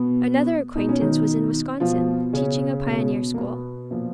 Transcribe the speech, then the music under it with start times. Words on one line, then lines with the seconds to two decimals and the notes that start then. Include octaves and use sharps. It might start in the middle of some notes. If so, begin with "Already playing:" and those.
Another acquaintance was in Wisconsin, teaching a pioneer school.
Already playing: B2 B3
0.75 B2 D#4
0.89 C#4
1.01 D#3 D#4
1.80 B2 F3 F4
2.33 C#3 C#4
2.86 B2
3.34 A#3
3.38 B2 B3
3.91 A#2 F3